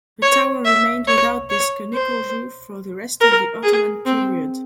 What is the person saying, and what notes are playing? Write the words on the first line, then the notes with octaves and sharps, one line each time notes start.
The tower remained without this conical roof for the rest of the Ottoman period.
C#5
E5
C#5
C#5
C5
A#4
G#4
C4